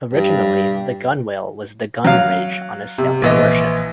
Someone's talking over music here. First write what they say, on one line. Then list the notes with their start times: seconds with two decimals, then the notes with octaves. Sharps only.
Originally the gunwale was the "gun ridge" on a sailing warship.
0.13 G2
2.05 F#3 F5
2.98 C3
3.22 A#1 E3 D#5